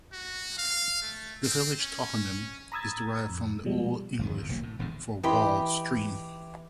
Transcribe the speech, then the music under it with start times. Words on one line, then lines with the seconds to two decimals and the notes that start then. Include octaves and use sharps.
The village toponym is derived from the Old English for "walled stream".
0.12 F#4
0.58 F5
1.02 A3
1.43 C4
1.80 C#4
2.72 A#5 B5 D#6 E6 G#6 A6
3.29 F2
3.65 B2 F3 G3 G#3
4.19 G1 F2 D#3
4.37 E2
4.49 E1 C2 F#3 A#3
4.63 A2
4.79 D#1 E2 G#2 D3
5.23 E3 G4 B4 D#5 B5 C6